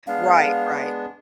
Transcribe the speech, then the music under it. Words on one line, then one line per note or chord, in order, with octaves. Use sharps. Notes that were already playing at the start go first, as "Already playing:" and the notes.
Right, right.
G#3 B3 D4 F5